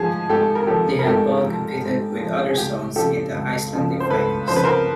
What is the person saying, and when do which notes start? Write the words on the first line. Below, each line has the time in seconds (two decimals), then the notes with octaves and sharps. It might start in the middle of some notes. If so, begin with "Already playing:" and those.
They had both competed with other songs in the Icelandic finals.
Already playing: G#2 F3 G#4
0.29 G#2 G4 A4
0.55 A#4
0.67 F3 G4 A4
0.99 A#4
1.06 G#2 G4 A4
1.43 F3
1.82 G#2
2.20 F3
2.50 G#4
2.57 C#2 G4
2.96 C#3 F3 G4 A4
3.35 C#2
3.73 C#3 F3
4.00 C5
4.10 C#2 A4 B4
4.48 C#3 F3 C5
4.56 B4
4.64 A#4 C5